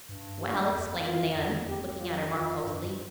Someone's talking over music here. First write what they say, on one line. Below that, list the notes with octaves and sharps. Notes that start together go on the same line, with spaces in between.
"Well!" exclaimed Nan, looking at her more closely.
G2
G4
F2
F4
F2
E2
F2 G4
F4
F4
G2
F2
G2